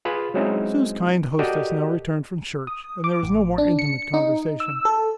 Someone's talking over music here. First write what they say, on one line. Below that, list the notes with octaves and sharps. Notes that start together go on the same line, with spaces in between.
Sue's kind hostess now returned from church, and there was no more intimate conversation.
F4 G#4 B4 B5
F#3 G#3 C4 C#4 D#4 E4
F#4 G4 A4 A#4 D5 D#5
D#6
D6
A1
D4
C#7
D#4
E6
A4